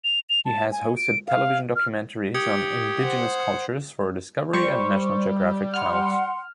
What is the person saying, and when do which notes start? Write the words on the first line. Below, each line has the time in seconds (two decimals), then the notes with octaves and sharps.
He has hosted television documentaries on indigenous cultures for Discovery and National Geographic channels.
0.04 F7
0.29 F7
0.46 A5
0.72 G#5
0.97 D7
1.27 F5
1.76 F6
2.34 G4 D#6 G#6 C#7
2.99 C5 F#5
4.53 G3 C5 C#6
5.74 F#5 C6 F6